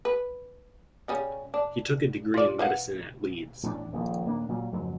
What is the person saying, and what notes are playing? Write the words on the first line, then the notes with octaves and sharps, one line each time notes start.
He took a degree in medicine at Leeds.
B4
C#3 G3 C#4
D4
F4 D5
B4 F5 F#5
A1 E2 A2 D4
D#1 A#1 D#2
D#1 A#3 D4
A#2 F#3 G3
F#1 F2 G#2 F#3